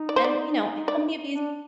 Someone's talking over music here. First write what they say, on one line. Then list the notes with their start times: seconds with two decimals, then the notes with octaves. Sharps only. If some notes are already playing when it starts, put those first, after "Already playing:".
and, you know, how many of these
Already playing: D#4
0.09 D5
0.16 C5
0.24 D5
0.88 D5
1.32 D4